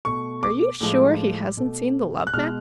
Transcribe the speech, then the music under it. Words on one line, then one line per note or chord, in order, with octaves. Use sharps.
"Are you sure he hasn't seen the Love Magnet?"
B2 A3 C#6
D6
A2 F3 G#3
B2 A3
F#6
B2 G#3 F6